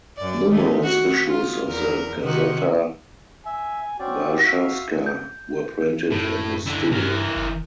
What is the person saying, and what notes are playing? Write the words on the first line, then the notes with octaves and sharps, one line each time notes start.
Numerous issues of the "Gazeta Warszawska" were printed in his studio.
F#2 D5
D#3 A3
F#4
F4
E2 A#4
C3 D#3 F#4
E5 G#5
C4 C#4 F#4 D5
E5 F5
G6
F#2 A2
D3 E4
G2 E3 A#4
F#1